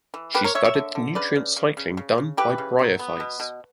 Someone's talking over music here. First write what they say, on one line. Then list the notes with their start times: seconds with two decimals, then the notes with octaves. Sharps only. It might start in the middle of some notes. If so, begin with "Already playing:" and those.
She studied the nutrient cycling done by bryophytes.
0.14 E3
0.34 A#3 G4 B4
0.44 A#4 C#5
0.55 A#3 C#5 E5
0.65 C#5 E5
0.75 D3
0.95 D3
1.15 C#3 B4 D5
1.36 C#3
1.56 C#3
1.77 C#3
1.97 C#3
2.18 C#3
2.37 E3 G4 B4
2.58 C#3
2.79 F#3
2.99 B3
3.20 B2
3.40 B2